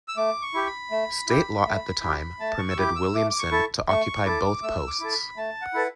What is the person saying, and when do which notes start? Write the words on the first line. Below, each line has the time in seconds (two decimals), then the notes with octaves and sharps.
State law at the time permitted Williamson to occupy both posts.
0.08 E6
0.17 A3 D6
0.42 C#6
0.54 E4 G4
0.67 B5
0.91 A3
1.28 E4 G4
1.66 A3
2.02 E4 G4
2.40 A3 A5
2.59 C#6
2.71 E6
2.77 E4 G4 D6
2.96 E6
3.14 A3 D6
3.30 D6
3.39 C#6
3.51 E4 A4
3.89 A3 C#6
4.26 E4 A4 D6
4.63 A3 E6
4.88 D6
5.00 E4 A4
5.12 B5
5.37 A3 A5
5.62 F#5
5.74 E4 A4 B4